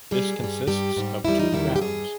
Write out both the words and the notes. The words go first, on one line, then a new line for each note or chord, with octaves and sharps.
This consists of two rounds.
A#2 G3 G#4
G2 G3
G2 G3 G4
G#2 G3
E2 D#3 G3 E4
D#4
E2 D#3 G3 E4
G4
G2 G3 G#4